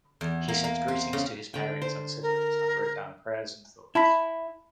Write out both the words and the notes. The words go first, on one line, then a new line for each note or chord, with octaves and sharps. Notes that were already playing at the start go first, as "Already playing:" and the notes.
He sent greetings to his parents and siblings and wrote down prayers and thoughts.
E2
A#3
A#3
C4
C#3
D3 G5
C5
A#4
E4 A5 B5 B6